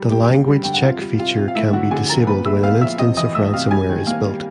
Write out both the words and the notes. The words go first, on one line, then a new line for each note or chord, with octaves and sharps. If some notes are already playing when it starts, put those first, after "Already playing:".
The language check feature can be disabled when an instance of ransomware is built.
Already playing: G3
A#3 G4 G5
D3
G3
D3 G5
F#5
C3 F4 F5
G3
C3 F4 F5
C3
F5
A3 E4 E5
D3 F#4 F#5
D3 G#4 G#5
F3 A#4 A#5
A#2 B4 B5
G#3 E5 E6
B3 F5 F6
F3 E5 E6
C3 D#5 D#6
E3 D#5 D#6
A3 E5 E6
C3 F5 F6
G3 G#5 G#6
D#3
A#3 F5 F6
G3